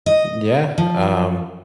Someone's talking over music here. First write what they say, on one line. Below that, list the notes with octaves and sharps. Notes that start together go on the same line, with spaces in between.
Yeah, um,
D#5
F3